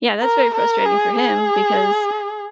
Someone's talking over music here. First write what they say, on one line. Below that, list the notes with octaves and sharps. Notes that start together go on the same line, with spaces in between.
yeah, that's very frustrating for him because
A#4
A#4
G#4
G#4